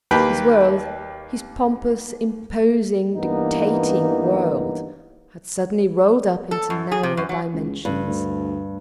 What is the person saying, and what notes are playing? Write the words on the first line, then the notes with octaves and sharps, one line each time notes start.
His world, his pompous, imposing, dictating world, had suddenly rolled up into narrower dimensions.
D#2 A#3 G4 B4 G5 B5
G2 E3 A#3 B3 D#4
A4
F#2
G#4
C3
F#2
F#3
C#2
A1 G2
D2